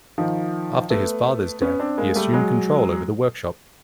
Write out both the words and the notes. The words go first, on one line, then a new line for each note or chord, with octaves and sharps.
After his father's death, he assumed control over the workshop.
D#3 F3
A3 B3
B3 C#4
C4 D4
G#3 A#3
G3 A3
F#3 G#3